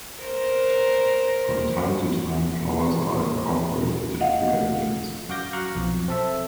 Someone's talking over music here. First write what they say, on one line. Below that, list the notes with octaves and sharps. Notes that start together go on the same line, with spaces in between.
From time to time, flowers are incorporated into their meals.
A#4 C5
D#5 F5 F#5
F#2 F#4 F5 D6 G6 A#6
F5 A#5 C#6 F#6
B1 F2
C4 A4 E5